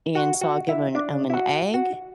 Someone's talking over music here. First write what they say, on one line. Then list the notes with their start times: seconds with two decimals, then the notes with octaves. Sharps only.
And so I'll give m him an egg
0.15 F#4
0.41 F#4
0.69 E4
0.95 D4
1.30 E4
1.34 F#4
1.74 F#4